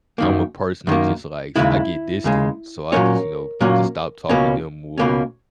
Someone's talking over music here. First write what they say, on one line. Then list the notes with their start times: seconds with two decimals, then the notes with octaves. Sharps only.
I'm a person that just likes I get distant, so I just, you know, just stop talking to them, or
0.18 F#2 D#3 A#3
0.87 F#2 D#3 A#3
1.56 D#2 C#3 G#3 E4
2.24 D#2 C#3 G#3
2.92 A#2 F#3 A#3 C#4 A#4 C#5
3.61 A#2 F#3 A#3 C#4
4.29 C#2 B2 A#3 C#4
4.98 C#2 B2 A#3 C#4